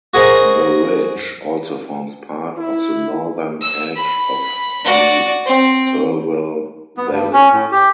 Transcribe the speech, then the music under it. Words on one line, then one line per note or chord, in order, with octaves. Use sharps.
The ridge also forms part of the northern edge of the Irwell Valley.
F#4 G#4 A#4 C5 D#5
E4
E6
B5
F#4 D5
C4
B3
G2
C#4
A2
G4